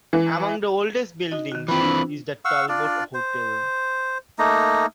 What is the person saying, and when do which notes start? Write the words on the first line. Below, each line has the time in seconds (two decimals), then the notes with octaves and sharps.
Among the oldest buildings is the Talbot Hotel.
0.13 E3
1.31 D#4 F#4 D#5
1.52 D#3 F#4
1.68 E3 C4 F4 C5 G5 B5
1.82 D4 E6
2.45 F5 F#5 C#6 E6
2.69 D4 F4 D5
3.14 C5
4.39 A3 A#3 D#4 A#5